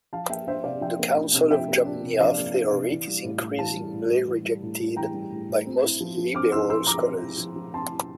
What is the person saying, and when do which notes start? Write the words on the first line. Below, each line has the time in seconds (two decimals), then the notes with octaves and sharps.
The Council of Jamnia theory is increasingly rejected by most liberal scholars.
0.13 F3 F5 A5
0.29 A#3 E5 G5
0.47 D4 C5 E5
0.64 C3 D5 F5
0.81 F3 E5 G5
0.99 A#3
1.16 D4
1.33 C3
1.50 F3 E5 G5
1.68 A#3
1.85 D4
2.03 C3
2.20 F3 D5 F5
2.38 A#3
2.54 D4
2.72 C3
2.89 E3
3.07 G3
3.24 A2
3.41 A2
3.58 E3 F5 A5
3.76 G3
3.93 A2
4.10 A2
4.27 E3
4.45 G3
4.63 A2
4.80 A2
4.96 E3 G5 A#5
5.14 G3
5.32 A2
5.49 A2
5.66 C4
5.83 E4
6.01 F3
6.18 F3
6.35 C4 D6 F6
6.52 E4 C6 E6
6.70 F3 C6 E6
6.87 F3 A#5 D6
7.05 C4
7.22 E4
7.38 F3
7.56 F3
7.73 C4 A5 C6
7.90 E4